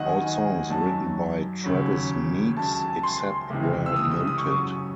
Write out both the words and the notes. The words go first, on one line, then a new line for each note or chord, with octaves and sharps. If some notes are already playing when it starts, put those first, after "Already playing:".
All songs written by Travis Meeks except where noted.
Already playing: D#2 D#3 F#3 D#5 F#5
G#5
F#2 D#3 F#3 A5
D#2 C#3 F#3
C#2 C#3 F#3 A5
A5
G#5
C6
C#2 C3 E3
E6
D#6
D#6
D#6
C#6
F#2 C#3 F#3 D#6